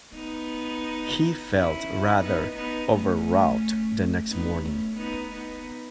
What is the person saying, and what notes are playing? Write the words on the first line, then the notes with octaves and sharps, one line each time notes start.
He felt rather overwrought the next morning.
B3 D#4
C#4 E4
B3 D#4
B3 D#4
A3 C#4
B3 D#4
A3 C#4
B3 D#4
B3 D#4